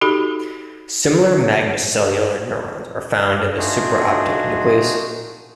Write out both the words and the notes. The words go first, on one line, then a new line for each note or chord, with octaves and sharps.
Similar magnocellular neurons are found in the supraoptic nucleus.
D#4 F#4 G4 A4 B5
A3 D4 D#4 F4 F#4 G#4